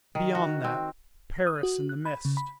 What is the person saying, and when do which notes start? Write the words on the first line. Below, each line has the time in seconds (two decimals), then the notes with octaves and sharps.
Beyond that, Paris in the mist!
0.15 D#3
0.35 F#4
0.64 C4
1.47 D#6
1.63 F#4
1.89 F#6
2.05 B5
2.25 C#3
2.37 B5